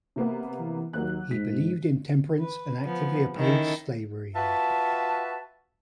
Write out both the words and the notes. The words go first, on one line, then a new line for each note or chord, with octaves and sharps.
He believed in temperance and actively opposed slavery.
C3 A#3 B3
E3
D#2 F#3 A#3 F#6
G#2 B6
B4
F3 B3
D#3 C#4 E4 A4
F4 F#4 B4 E5 A5